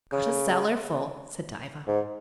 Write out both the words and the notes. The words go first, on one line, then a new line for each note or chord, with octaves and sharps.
"Got a cellar-full," said Diva.
C#3
G#2